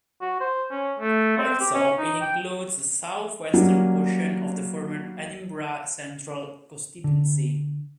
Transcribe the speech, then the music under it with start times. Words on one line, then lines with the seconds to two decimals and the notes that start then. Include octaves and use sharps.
Also, it includes a south western portion of the former Edinburgh Central constituency.
0.21 F#4
0.40 C5
0.71 C#4
0.99 A3
1.37 C4
1.60 G4
1.74 C#4
1.99 D#4
2.21 G5
3.54 F#3 G3 A#3 C#4
7.04 D3